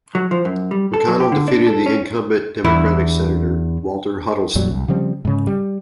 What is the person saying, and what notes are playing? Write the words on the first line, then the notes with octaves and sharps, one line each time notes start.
McConnell defeated the incumbent Democratic senator, Walter Huddleston.
F#3
F3
F#2
G3
A4
F#3
G4
D3
D4
A4
C#4
E2 E4
F2 A#2 F#3 G3
C2
C#3 F3 G3 C4
G#2 C#3
G3